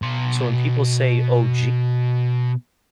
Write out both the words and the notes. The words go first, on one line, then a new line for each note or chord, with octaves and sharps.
So when people say OG,
B2 C6